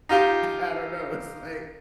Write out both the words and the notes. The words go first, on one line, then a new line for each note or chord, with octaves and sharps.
I don't know, it's like,
D#4 F4 G4 F5